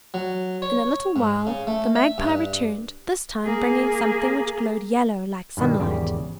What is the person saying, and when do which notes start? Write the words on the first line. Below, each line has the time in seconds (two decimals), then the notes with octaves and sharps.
In a little while the Magpie returned, this time bringing something which glowed yellow like sunlight.
0.14 F#3
0.62 C#5
1.16 G#2
1.47 C#3
1.67 A3
1.96 E5
2.18 G2
3.45 A#3 G#4
5.57 G2 B2 D#3 G3
5.80 G#1 E2 C#3 G4 D5